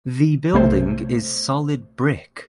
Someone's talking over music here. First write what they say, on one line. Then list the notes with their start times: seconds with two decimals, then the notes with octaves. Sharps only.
The building is solid brick.
0.53 B1 C3 A3 C5